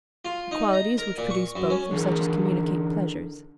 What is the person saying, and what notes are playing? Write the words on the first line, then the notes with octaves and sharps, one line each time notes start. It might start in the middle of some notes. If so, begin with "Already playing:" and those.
The qualities, which produce both, are such as communicate pleasures.
F4
D#4
A#5
A#4
A#2
C#6
F#2
C#4
D3 E3 G#4 A#4 F#5